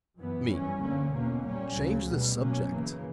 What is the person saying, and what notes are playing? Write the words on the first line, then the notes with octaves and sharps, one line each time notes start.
ME: Change the subject.
F#2 E3 B3
F#2 E3 G3 C#4
D2 D3 A#3 C#4
E2 B2 A#3 C#4
A#2 G3 A#3 C#4
D2 C#3 F#3
B2 G3 B3
B2 F#3 A#3 C#4
F#2 C#3 E3 A#3